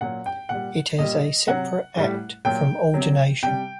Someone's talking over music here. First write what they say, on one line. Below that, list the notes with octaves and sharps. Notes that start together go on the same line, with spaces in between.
It is a separate act from ordination.
A#2 F#3 F#5
G5
A#2 G3 F#5
A#2 G3 D#5
C3 F#3 F#5
A2 G3
A#2 F#3 G5
C3 F#3
C3 G3 G5